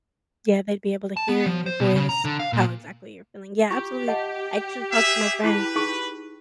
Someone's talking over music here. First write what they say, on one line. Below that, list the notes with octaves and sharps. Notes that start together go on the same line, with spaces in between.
Yeah, they'd be able to hear in your voice how exactly you're feeling. Yeah, absolutely, I actually talk to my friend
A5
B3
F3
C5
B2
C#3
A#5
D3
F5
A#2
F4 G4 C#6
D#5 F#5 A5
G#4 E5
E4 G#4 B4 A5
D#4 G#4 C#6